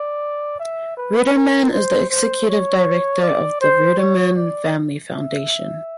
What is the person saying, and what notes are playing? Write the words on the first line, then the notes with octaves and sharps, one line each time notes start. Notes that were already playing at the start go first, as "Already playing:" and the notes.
Ruderman is the executive director of the Ruderman Family Foundation.
Already playing: D5
E5
B4
A#4
C5
C5
C#5
D5
C5
C#5
D5
E5